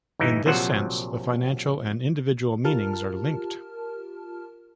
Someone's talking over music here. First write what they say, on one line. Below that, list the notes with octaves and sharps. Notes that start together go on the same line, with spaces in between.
In this sense the financial and individual meanings are linked.
G1 E3 D#4 E4
A#1 C3 F3 F#3 C5 F#5
F4 G4 A#4 A5 F6